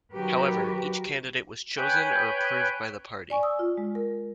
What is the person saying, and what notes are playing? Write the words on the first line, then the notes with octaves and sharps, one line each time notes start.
However, each candidate was chosen or approved by the Party.
D#3 F#3 F#4 G4 A#4 B4
B4 C#5 G5 G#5 F#6 G6
D5 G#5 C#6
D#6 E6
F4
G#3
A#4